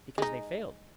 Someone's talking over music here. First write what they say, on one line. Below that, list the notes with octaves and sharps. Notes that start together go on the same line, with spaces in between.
"Because they failed."
G#3 D#4